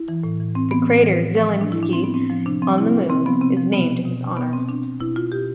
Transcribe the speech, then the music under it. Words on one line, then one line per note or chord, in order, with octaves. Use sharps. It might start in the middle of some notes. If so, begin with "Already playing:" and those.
The crater Zelinskiy on the Moon is named in his honor.
Already playing: E4
E3
A2
E3
A2 C4
E3 B3
A2
E3
A2
F3
A2
D4
F3
E4
A2 D4
C4
F3
B3
A2 C4
F3
C3 D4
F3 C4
C3 E4
F3
C3 C4
F3 B3
C3 C4
F3
B2 B3
B2
B2 B3
C4
B2 D4
B2 E4
F4
B2 G4